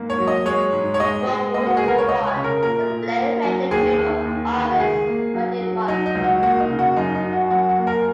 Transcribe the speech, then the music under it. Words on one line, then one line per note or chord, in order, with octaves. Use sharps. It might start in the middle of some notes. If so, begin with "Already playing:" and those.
Before World War One, the Blaue Reiter group of artists worked in Munich.
Already playing: G#2 A#3
C#5
F#3
D#5
G#3 C#5
G#2
C#5
G#3 D#5
G#3
A#3 D#5
F#4
C#2 G#4
A#4
C#5
C#2 D#5
C#5
C#3
A#4
A#2 A#4
A#2
A#3
F#3
D#2 G#4
D#2
D#2
D#3
F#4
C#2 G#4
A#3
F#3
F#3
F#3 D#4
D#4
C#2
F#4
A#3 F#4
D#4
C#3
F#4
F#2 D#4
D#4
F#3
F#4
F#2 F#4
F#4
A#3
A#4